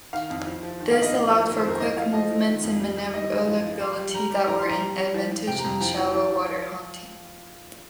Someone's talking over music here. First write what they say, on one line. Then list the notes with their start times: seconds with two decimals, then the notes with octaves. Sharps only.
This allowed for quick movements and maneuverability that were an advantage in shallow-water hunting.
0.13 D#3 F5
0.30 F2
0.47 F3
0.63 F3
0.80 D#3
0.91 F5
0.97 G2
1.02 D#5
1.13 F3
1.31 F3
1.47 D#3 A#4
1.58 C5
1.64 F2
1.69 A#4
1.80 F3 D#5
1.97 F3 F5
2.14 F3 D#5
2.30 F3
2.47 D#3
2.64 F2
2.80 G3
2.97 G3
3.14 D#3 D#5
3.31 G2
3.47 F3
3.64 F3
3.80 G3 C6
3.97 G3
4.14 G3 A#5
4.31 G3
4.47 F3 A#5
4.59 C6
4.64 F3
4.70 A#5
4.81 G3
4.98 G3
5.14 F3
5.31 F3
5.47 C3 G5
5.58 A#5
5.64 F2
5.70 A#5
5.81 F3 G5
5.98 F3
6.14 F3
6.31 F3
6.48 F3